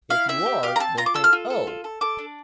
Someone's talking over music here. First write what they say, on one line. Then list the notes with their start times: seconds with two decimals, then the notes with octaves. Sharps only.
If you are, then think Oh!
0.10 E4 F5
0.29 C4 E5
0.46 G4
0.63 G4 F5
0.76 A#5
0.80 C4 A5
0.97 F4 A#5
1.06 D6
1.14 A4 E6
1.24 F6
1.33 F4
1.50 A4
1.67 F4
1.84 A4
2.01 A4 D6
2.18 D4